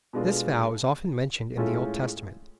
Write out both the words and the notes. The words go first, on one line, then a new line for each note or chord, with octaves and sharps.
This vow is often mentioned in the Old Testament.
B2 G#3 D4 F4 A4
A2 G#3 C#4 F4 A4